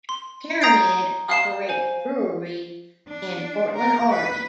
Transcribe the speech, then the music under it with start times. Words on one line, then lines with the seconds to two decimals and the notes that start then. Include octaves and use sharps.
Pyramid operates a brewery in Portland, Oregon.
0.09 C6
0.61 A#5 D#6 G6 G#6 C7 D7
1.30 F5 C7 E7
1.69 C5 G#5
3.08 D4
3.76 A#4
4.11 B4